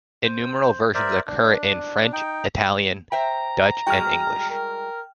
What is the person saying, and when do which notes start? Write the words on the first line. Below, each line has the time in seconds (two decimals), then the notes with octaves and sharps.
Innumerable versions occur in French, Italian, Dutch and English.
0.24 C5
0.94 A#4 C5 D5 E5
1.27 D4
2.13 D#4 G5
3.12 C5 E5 G5 A#5
3.87 G3 G#3 F#4 G5 F6
4.50 A#4